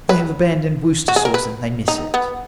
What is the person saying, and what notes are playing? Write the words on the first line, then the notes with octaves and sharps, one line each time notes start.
They have abandoned Worcester sauce, and they miss it.
B4
F#4
G#4
A#4
B4
D#4
B3